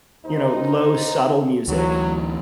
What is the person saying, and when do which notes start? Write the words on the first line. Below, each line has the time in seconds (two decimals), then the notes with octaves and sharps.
you know, low subtle music.
0.25 D#2 D#4 C5
1.68 D2 E3 F#3